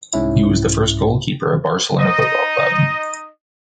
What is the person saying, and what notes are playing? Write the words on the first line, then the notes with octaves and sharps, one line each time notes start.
He was the first goalkeeper of Barcelona Football Club.
C2 G#2 C#4 E4
D#4 D#5